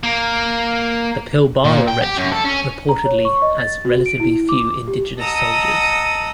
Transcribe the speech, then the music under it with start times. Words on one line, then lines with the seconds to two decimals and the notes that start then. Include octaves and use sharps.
The Pilbara Regiment reportedly has relatively few Indigenous soldiers.
0.03 A#3
1.65 A#2
1.88 G5
2.02 G4
2.18 F#2
2.32 A4
2.45 C#4
2.89 A#5
3.05 C#5
3.25 C#6
3.42 D#5
3.58 A6
3.85 F#4
4.06 D7
4.20 E4
4.49 D6
4.88 G4
5.21 D#5 F#5 A5 A#5 D#6 E6